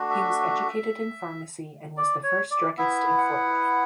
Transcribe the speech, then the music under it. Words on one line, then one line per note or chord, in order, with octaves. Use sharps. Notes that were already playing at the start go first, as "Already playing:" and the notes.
He was educated in pharmacy and was the first druggist in Fort Wayne.
Already playing: A3 D4 F#4
E5
D5
C#5
D5
B3 E4 E5
F#5